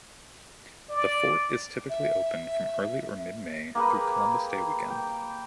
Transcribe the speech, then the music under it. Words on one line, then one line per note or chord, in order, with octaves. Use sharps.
The fort is typically open from early or mid May through Columbus Day weekend.
D5
E5
A#3 G4 G#4 B4
G5